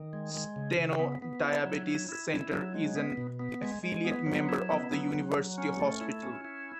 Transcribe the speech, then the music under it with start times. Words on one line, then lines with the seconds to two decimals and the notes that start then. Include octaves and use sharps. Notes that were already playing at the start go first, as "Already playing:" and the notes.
Steno Diabetes Center is an affiliate member of the University Hospital.
Already playing: D#3
0.13 G#3
0.34 G#3
0.56 C#3
0.79 C#3
0.99 B3
1.22 B3
1.43 E4
1.65 F#3
1.87 E4
2.09 E4
2.31 E4
2.53 F#3
2.74 G#3
2.96 B3
3.17 B2
3.39 B3
3.62 G#3
3.83 G#3
4.05 B3
4.26 F#3
4.49 E4
4.70 B3
4.92 F#3
5.14 F#3
5.37 F#3
5.58 C#4
5.80 A3
6.01 E4
6.23 C#4
6.45 E4